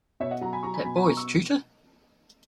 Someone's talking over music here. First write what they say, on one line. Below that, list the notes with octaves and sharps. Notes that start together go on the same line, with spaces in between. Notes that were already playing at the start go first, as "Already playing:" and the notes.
That boy's tutor?
B2 C#5 E5
D#5 F#5
F#3 F#5 A#5
G#5 B5
F#3 A#5 C#6
G#5 B5
B2 G#5 B5
G#5 B5
B2 A#5 C#6
C#6 E6